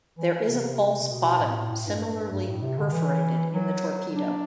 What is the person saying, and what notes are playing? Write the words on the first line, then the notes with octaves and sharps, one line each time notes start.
There is a false bottom similarly perforated in the torpedo.
E3
C3
C3
B2
A2
A2
G2
G2
A2
C3
D3
E3
F#3
D4